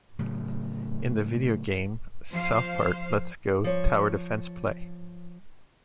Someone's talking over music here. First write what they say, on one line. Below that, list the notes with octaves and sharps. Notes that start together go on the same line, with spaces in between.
In the video game South Park Let's Go Tower Defense Play!
A2 C#3 F#3
F3 C5 F5
F3 C#5